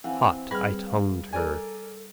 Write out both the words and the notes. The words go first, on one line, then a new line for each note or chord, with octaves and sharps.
Hot I tongued her.
E3 C4 F5 F#5 G#5
G3 G#4 B4 B5 F6
F5
A4 A#4 D5 G#5